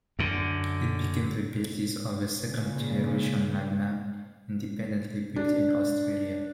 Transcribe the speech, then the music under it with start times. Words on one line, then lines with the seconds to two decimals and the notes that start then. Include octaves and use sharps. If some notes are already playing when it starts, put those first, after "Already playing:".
It became the basis of the second generation Magna independently built in Australia.
0.19 F#2 D3
2.40 A#2 C#3
5.36 D4